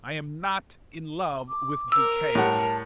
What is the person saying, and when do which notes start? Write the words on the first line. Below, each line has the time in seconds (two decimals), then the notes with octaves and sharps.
I am not in love with decay.
1.48 D6
1.92 A#4 E6 F6
2.35 A2 G3 F#5 A5